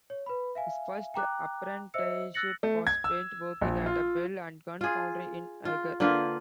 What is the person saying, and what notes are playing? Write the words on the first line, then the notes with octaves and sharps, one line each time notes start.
His first apprenticeship was spent working at a bell and gun foundry in Eger.
C#5
B4 B5
E5 F5 G#5
G5 A#5 D6 F#6
C5 D#5 E5 E6 C#7
E6 F#6 A6 A#6 C#7 F#7
A3
G#6
E6
A#1
F4
F4 G#4
F4
D3 A#3 F4 B4